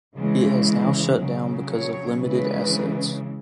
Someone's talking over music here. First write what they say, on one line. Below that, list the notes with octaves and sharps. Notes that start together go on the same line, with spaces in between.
It has now shut down because of limited assets.
C#3 E3 G#3
C#3 F#3
C#5
C#3 E3 G#3 B4